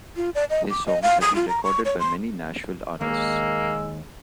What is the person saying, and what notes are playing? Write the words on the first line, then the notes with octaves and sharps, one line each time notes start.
His songs have been recorded by many Nashville artists.
F4
D5
D#5
D6
D#5
F5
D#6
F4
A#5
C#6
C#5
C6
D#2 G#3 A#3 E6